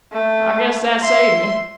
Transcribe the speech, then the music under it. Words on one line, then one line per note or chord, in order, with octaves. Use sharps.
I guess that saved me.
A3
E5 C6